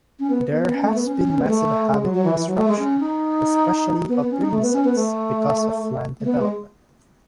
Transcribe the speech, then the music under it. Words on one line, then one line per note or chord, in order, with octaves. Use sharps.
There has been massive habit destruction, especially of breeding sites, because of land development.
C#4
B3
B3
B3
C#4
A3
B3
C#4
C#4
C#4
B3
G#3
A3
G#3
F#3
F#3
E3
E3
F#3
A3
G#3
C#4
D#4
B3
B3
C#4
D#4
A3
B3
C#4
B3
A3
A3
B3
G#3